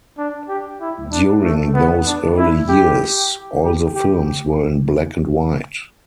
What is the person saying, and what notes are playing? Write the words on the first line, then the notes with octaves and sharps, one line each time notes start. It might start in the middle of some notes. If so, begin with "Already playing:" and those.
During those early years, all the films were in black and white.
D4
G4
E4
D4
A3
B3
D4
E4
G4
G4
G4